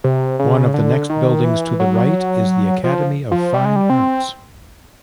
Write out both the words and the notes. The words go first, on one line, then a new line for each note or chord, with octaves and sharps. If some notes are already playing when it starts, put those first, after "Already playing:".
One of the next buildings to the right is the Academy of Fine Arts.
C3
C#3
D3
D#3
E3
F#3
F3
F3
G3
G#3
G3
C4